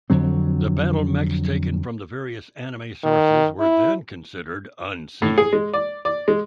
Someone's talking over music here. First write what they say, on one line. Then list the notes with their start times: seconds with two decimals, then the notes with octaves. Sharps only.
The BattleMechs taken from the various anime sources were then considered "Unseen".
0.10 F2 D3 F#3 C4
3.04 D#3
3.59 E4
5.22 A2
5.38 G#4
5.53 G#3
5.74 D5
6.05 D5
6.28 G#3